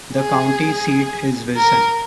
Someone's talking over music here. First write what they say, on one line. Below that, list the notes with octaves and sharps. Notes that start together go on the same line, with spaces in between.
The county seat is Wilson.
G#4
A#4